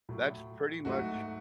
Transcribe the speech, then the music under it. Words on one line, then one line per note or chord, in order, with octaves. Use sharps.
That's pretty much
A2 F#3 A3
G#2 F#3 A3 F#4